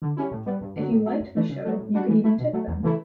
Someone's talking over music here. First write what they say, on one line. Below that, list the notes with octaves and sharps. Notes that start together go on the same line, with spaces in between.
If you liked the show, you could even tip them.
D3
G3 C#4 E4
A2
G3 B3
G2
D3 F#3
A2
F#3 A3
F#2
E3 A3
C#3
F#3 A3
A2
G3 D4 F#4
E3
A3 E4
B2
F#3 A3
E2
C#3 E3 A3 E4